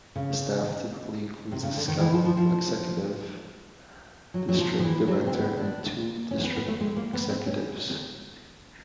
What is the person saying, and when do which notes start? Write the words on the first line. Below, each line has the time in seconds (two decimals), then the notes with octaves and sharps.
The Staff typically includes a Scout Executive, District Director and two District Executives.
0.16 C#3
1.51 C3
1.63 C#3
1.76 D3
1.88 D#3
2.00 E3
2.12 F3
2.25 F3
2.37 F3
4.34 F#3
4.49 F#3
4.58 F3
4.79 F3
4.83 E3
5.08 F#3
5.27 C4
5.33 B3
5.58 D4
6.31 C#4
6.44 B3
6.56 B3
6.68 A3
6.80 G#3
6.96 A#3
7.13 B3
7.29 C4
7.46 C#4